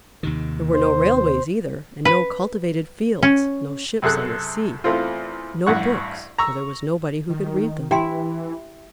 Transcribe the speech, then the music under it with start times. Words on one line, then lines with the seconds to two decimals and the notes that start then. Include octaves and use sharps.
There were no railways either, and no cultivated fields, no ships on the sea, no books, for there was nobody who could read them.
0.23 D#2 C3 D#3
0.74 C5
2.05 B4
3.23 C#4
4.02 F#2 C3 G#4 A4 F#6
4.84 E2 A3 C4 F4
5.67 A1 G2 F#5 C#6
6.38 A#5 C#6 E6
7.30 D#3
7.91 E3 E4 G4 G5 C6